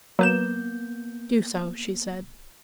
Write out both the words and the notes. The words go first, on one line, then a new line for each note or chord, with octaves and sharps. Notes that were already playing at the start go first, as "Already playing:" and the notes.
"Do so," she said.
F#3 A#3 B3 B4 G6 E7